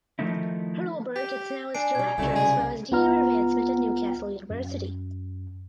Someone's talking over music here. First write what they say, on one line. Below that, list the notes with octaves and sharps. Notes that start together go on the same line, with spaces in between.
Hurlbert is now its Director as well as Dean of Advancement at Newcastle University.
D#3 F3 A3 D#4 E4
G4 B6
D4 G#5 C7 D7
B2 G3 G#6
C2 G2 C#3 F#3 A3 E4
G#4 G#5
C#2 B3 F4 F#5 A#5 F6
F#2